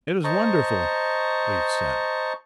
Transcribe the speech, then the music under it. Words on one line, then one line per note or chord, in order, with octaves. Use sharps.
"It is wonderful," Leif said.
C5 D#5 A5 A#5 C#6